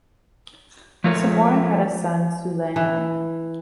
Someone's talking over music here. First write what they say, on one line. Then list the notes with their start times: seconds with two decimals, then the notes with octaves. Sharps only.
Samura had a son Sulayman.
1.04 F3 G#3 A3 F4 A#4 C#5
2.76 E3